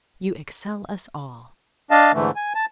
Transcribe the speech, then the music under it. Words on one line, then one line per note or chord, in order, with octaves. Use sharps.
"You excel us all."
D4 D#5 F5 A5
G#2 D3 E3 A3
G#5
A5